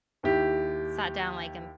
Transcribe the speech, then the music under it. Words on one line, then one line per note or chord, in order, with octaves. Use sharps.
sat down, like, and
D#2 E4 G4